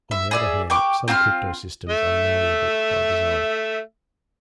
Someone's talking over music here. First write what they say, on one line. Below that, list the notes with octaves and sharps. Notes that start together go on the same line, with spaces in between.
On the other hand, some cryptosystems are malleable by design.
E5
G#4 D5 E5
G5 C#6 D6
C4 F4 D#6 F6
A3 E5